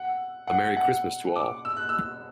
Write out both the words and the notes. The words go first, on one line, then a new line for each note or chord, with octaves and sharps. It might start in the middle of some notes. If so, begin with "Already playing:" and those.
A Merry Christmas to all!
Already playing: F#5
F#5
F#5
D6
E6
F#6
E6